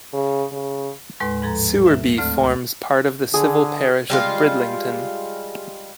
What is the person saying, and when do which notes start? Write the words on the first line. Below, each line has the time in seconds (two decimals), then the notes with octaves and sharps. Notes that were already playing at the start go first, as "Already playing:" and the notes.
Sewerby forms part of the civil parish of Bridlington.
0.13 C#3
0.52 C#3
1.20 D#2 A2 G#3 B4 C6
1.42 G#2 F3 A4 A#5
1.86 E5
2.18 D2 A3 C4 A4 D5 F6
3.34 D3 G#4
4.10 G3 G#3 F4